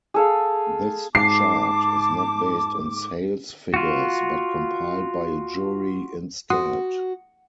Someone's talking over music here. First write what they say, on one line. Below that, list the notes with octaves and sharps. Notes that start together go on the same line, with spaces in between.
This chart is not based on sales figures but compiled by a jury instead.
G#4 A4 F5
G#2 A5 D6 C7
F4 F#4
F#4 F#5 C6 D#6